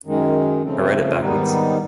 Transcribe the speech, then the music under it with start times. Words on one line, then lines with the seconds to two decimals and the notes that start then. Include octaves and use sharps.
I read it backwards.
0.05 F#2 D#3 G#3
0.62 C#3 F3 A3 C4
1.20 G#2 D#3 G3 B3 D#4